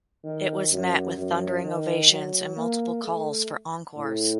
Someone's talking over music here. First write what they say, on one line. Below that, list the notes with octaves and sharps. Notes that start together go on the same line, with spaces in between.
It was met with thundering ovations and multiple calls for encores.
D#3
F#2
F#2
D#3
F#3
A#3
A3
A2